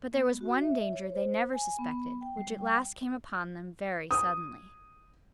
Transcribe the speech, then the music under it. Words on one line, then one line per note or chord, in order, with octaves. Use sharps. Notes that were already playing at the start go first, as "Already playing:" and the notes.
But there was one danger they never suspected, which at last came upon them very suddenly.
B3
F#4
E5
C#5
C5
G#5
B3
G5
G3
G5
D#6